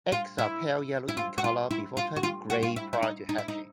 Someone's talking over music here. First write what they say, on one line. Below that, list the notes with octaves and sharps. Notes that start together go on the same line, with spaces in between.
Eggs are pale yellow in colour, before turning grey prior to hatching.
F4
E4
E4
F4
F#4
F4
E4
F4
F#4
F4
F#4
F4
E4
E4
D#4
D#4
E4
D#4